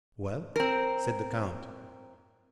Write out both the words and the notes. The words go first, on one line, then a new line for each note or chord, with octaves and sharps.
"Well?" said the count.
C4 A#4